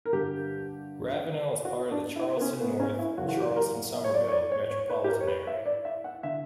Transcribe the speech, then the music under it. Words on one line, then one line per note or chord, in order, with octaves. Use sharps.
Ravenel is part of the Charleston-North Charleston-Summerville metropolitan area.
A#4
G2 D3 G4
F#4
D4
E4
B3
C#4
B3
C#4
E4
F#2 C#3 E3 F#4
F#4
G4
A#4
E5
C#5
D5
C#5
D5
C#5
C#5
B4
G4
A#4
C#5
B4
E5
D5
E5
F#5
D3 E5